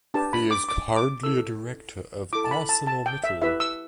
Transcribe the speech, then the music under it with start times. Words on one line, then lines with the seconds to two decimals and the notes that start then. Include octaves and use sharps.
He is currently a director of ArcelorMittal.
0.14 D4 G4 B4 A5
0.33 B5
0.51 D6
0.69 D6
0.96 D6
1.23 E4 A4 E6
2.33 E4 A4 D6
2.44 A5
2.51 B5
2.69 A5
2.87 A5
3.06 G5
3.24 E5
3.42 E4 G4 B4 E5
3.60 E6